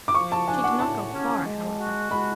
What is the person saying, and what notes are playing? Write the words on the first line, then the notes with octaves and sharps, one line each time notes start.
She did not go far, however.
D6
F3 C#6
A5
D4 G#5
F#5
A2 A5
C#4
G#3
F#4
G#3 B5